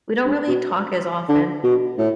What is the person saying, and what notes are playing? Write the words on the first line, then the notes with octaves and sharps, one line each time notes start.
we don't really talk as often.
G2
B2
D3
B2
A2